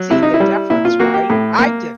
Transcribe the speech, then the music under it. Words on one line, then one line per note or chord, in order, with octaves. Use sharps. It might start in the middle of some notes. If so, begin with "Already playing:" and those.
see the difference, right? I didn't.
Already playing: F#3
C3 E4
D#4
E4
G3
A#2 E4
F4
A#3 F#4
G4
A2
A#3